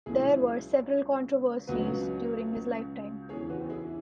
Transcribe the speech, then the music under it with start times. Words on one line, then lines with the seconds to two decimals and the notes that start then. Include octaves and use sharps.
There were several controversies during his lifetime.
0.06 C#2 B2 F#3 E4 G#4
1.68 C#2 B2 F#3 F#4 B4
3.29 E2 C#3 E3 G#4 C#5
3.49 F#4 B4
3.70 E4 G#4